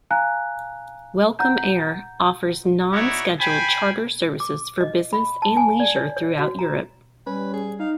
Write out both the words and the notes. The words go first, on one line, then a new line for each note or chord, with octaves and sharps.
Welcome Air offers non-scheduled charter services for business and leisure throughout Europe.
F5 G#5 A#5 F#6
F#5 A#5 G6
D#4 E4 F#4 C#5 D5
C5 G5 G#5 B5
D6
D#5
B5
A5
G#5
D5
C#5
C#5
F#4
A#5
G3 C#4 B4
G#4
D#4 F5